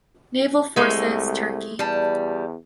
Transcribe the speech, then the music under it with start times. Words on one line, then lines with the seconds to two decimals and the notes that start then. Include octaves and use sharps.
Naval Forces, Turkey.
0.76 C2 G#3 A3
1.79 E2 G3 A5